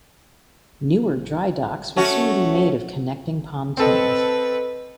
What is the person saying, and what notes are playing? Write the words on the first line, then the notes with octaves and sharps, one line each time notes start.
Newer dry docks would soon be made of connecting pontoons.
A3 C#4 F#4
C4 A4 B4 D#5